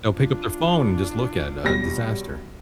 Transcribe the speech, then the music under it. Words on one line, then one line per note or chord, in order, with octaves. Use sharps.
They'll pick up their phone and just look at a disaster.
D4 F4
B1 G3 A#6